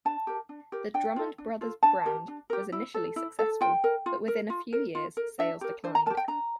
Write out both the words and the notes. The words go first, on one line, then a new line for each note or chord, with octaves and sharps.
The Drummond Brothers brand was initially successful but within a few years sales declined.
D4 A5
G4 A#4
D4
G4 A#4
D4 G5
F4 A4
D4
F4 A4
D4 A5
G4 A#4
D4
G4 A#4
E4
A4
E4
A4
F4 G5
A#4
F4
A#4
F4
A#4
F4
A#4
D4 E5
G4 A#4
D4 C5
A#5
G4 A#4 A5
G5
D4 A#5